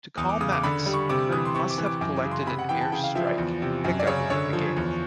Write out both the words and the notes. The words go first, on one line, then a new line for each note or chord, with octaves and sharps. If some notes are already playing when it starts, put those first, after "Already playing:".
To call Max, Kurt must have collected an airstrike pickup within the game.
E2 D#6
D6
C#3 D#6
D6
D3 B5
G3
C#6
C3 D6
E3 D#6
C6
C3 C#6
D6
E3
D6
F#2 D6
D6
C#3
C6
C3 B5
F#5
E3 G5
A5
C#3 G5
F5
F3 E5
D5
E2
C3
F#2
D5
C#3 C#5
D3 C#5
F3
E2